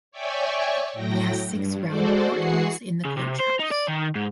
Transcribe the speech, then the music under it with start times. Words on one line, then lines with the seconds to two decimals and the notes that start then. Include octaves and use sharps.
It has six round portholes in the coach house.
0.12 C#5 D5 E5 G5 G#5 C#6
0.93 A2 F#3 G5 A#6
1.48 G2
1.87 G#3 F#4 A4 C5 D5
2.30 E3 F#4 G#4 F#5 C7
3.05 C#3
3.17 C3
3.39 C5
3.59 D#4
3.71 D5
3.88 D#3
4.15 G#2